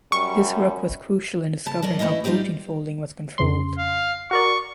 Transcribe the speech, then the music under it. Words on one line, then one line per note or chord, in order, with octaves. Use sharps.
This work was crucial in discovering how protein folding was controlled.
F#2 G3 C#6
C#3 A5
F#3 A#4 D5 D#5
E3 A3 C#4 E4 D#5
G3 D#4 F4 G4 D5
F2 C#3 C6
F5
F#4 A#4 D5 C#6